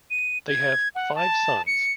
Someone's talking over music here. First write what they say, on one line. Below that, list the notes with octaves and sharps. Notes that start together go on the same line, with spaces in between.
They have five sons.
D#7
G#6
F#5
A5
C#7